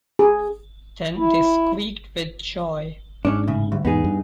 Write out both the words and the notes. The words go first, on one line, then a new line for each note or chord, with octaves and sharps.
Then they squeaked with joy!
G#4
E4
G#2 C#4 D4
A2 C#3
D2 G2
E2 G#2 B3 D#4 G#4
G2